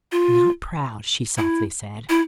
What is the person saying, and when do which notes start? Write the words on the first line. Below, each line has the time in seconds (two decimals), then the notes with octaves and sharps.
"Not proud," she softly said.
0.12 F4
1.38 E4
2.09 E4